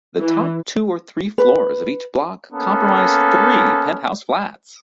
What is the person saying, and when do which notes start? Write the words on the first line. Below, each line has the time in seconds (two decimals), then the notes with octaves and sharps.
The top two or three floors of each block comprise three penthouse flats.
0.18 E3
1.38 B4
2.52 A#3 B3 C#4 A4